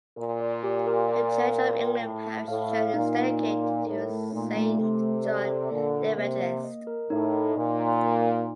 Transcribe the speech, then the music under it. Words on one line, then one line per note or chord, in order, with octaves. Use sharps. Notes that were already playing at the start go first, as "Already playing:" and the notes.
The Church of England parish church is dedicated to Saint John the Evangelist.
A#2 A#4
D5
G4
A#4
D5
A#4
A#4
G5
A2 A5
A5
A2 F5
F5
A#2 D#4
D#4
D#4
A#4
A2 A4
A3
A#2 D#4
A3
C3 A4
A4
D5
A4
A#2 D3 A#3
A#4
C3 A#3
A#3
D#5
A#4
A2 D#4
D#5
A#2 D#4
F5
D#4
D#4